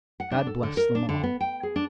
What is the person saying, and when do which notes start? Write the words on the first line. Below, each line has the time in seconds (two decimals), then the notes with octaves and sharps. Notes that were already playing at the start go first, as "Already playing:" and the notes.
God bless them all.
0.20 F#5
0.31 D4
0.47 A4
0.63 D3
0.77 A#4
0.95 D4
1.09 D3
1.23 B3
1.41 G5
1.63 G#4
1.76 D4